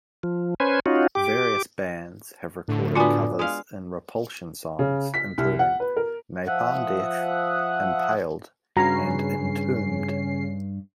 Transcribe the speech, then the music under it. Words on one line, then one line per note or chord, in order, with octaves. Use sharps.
Various bands have recorded covers of Repulsion songs, including Napalm Death, Impaled and Entombed.
F3
C#4 B4 C5 G#5
C#4 D#4 F4 F#4
G4 D6
A2 D3
B3 D4 F4 F#4 G#5
G#3 F5
C#3
B6
C2
F#5
B4
A#4
F3 E5 F#5 D#6 F#6
G2 C#3 C#4 F#4 B4 A#5 C7